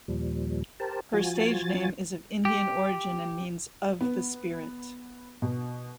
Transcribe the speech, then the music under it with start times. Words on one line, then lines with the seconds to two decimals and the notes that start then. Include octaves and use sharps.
Her stage name is of Indian origin and means "of the spirit".
0.08 D#2 A#2 F3 G3
0.80 G4 A#4 C5 A5
1.14 F3 F4 F#4 G#5 A6
2.45 G4
4.01 B3
5.42 B2